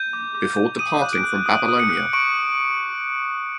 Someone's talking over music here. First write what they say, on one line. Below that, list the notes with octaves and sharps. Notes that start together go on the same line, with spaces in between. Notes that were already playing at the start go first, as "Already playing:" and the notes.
Before departing from Babylonia.
Already playing: G6 D#7
D6
D6
G6
D#6 D#7
F#6
D7
F#6
D#6
D#6
C#7
F#6
C#6 D7